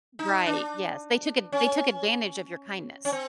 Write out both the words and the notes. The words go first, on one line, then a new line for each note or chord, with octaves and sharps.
Right, yes, they took ad they took advantage of your kindness.
D#4
D4
C#4
C#4
C4